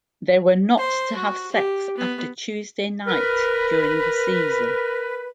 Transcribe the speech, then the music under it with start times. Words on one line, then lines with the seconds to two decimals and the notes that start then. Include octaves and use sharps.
They were not to have sex after Tuesday night during the season.
0.78 C5
1.16 F#4
1.52 G4
1.98 B3
3.07 A#4 B4